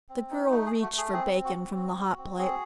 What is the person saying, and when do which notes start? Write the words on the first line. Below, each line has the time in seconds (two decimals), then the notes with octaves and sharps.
The girl reached for bacon from the hot plate.
0.09 C4
0.31 D#4
0.51 A3 F#4
0.66 G#4
0.72 A3
0.82 F#4
0.92 A3
0.98 G#4
1.13 C4 G#4
1.34 C4
1.45 F#4
1.56 C4
1.76 F#4
1.96 F#4
2.18 C4
2.39 F#4 G#4